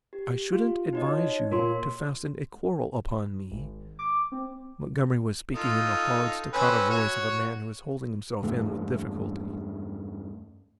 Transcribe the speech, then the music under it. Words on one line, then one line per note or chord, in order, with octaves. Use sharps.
"I shouldn't advise you to fasten a quarrel upon me." Montgomery was speaking in the hard, staccato voice of a man who is holding himself in with difficulty.
G4
F4
D#4 F#4 C#5 D#5
A#2 F4 A#4 C6
G#1
D6
C4
D#4 F4 A4
C4 C#4 B4
F#4 C#5
E2 G2 A3